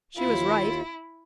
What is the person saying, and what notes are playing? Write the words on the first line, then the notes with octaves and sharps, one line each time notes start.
She was right.
D#2 E4 F4 F5